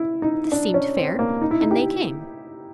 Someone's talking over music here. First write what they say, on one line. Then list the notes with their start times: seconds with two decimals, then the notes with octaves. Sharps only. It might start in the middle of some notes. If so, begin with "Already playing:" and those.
This seemed fair, and they came.
Already playing: E4
0.22 D#4
0.52 D4
0.74 C#4
0.97 C4
1.19 A#3
1.41 D#4
1.51 E4
1.61 D#4
1.71 G4